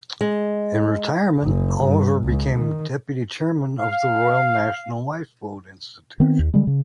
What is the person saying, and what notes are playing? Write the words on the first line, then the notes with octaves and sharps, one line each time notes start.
In retirement Oliver became Deputy Chairman of the Royal National Lifeboat Institution.
G#3
F#1
G2
C#2
D#3
F5
D#3 B3 C4
D#2
D3 G3 G#3
C#3